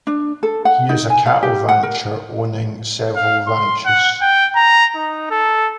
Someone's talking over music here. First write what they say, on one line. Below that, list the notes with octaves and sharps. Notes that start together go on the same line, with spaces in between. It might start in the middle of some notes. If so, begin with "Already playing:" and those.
He is a cattle rancher, owning several ranches.
D4
A4
F#5
D#4
G#5
F5
G4
F#5
A#4
F5
C6
F#5
G5
A#5
D#4
A4